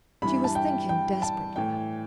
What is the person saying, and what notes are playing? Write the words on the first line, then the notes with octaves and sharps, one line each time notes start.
She was thinking desperately.
G2 E3 B5
A5
G5
G5
A5
A2 E3 G5